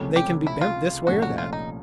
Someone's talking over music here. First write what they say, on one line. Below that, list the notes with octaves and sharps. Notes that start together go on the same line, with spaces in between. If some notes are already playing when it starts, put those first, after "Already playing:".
They can be bent this way or that.
Already playing: C#2 C3 F3 A3 C#4
G4
E4
F4
C2 A#2 F3 A3 C#4 F#4
F#4
F4
D#4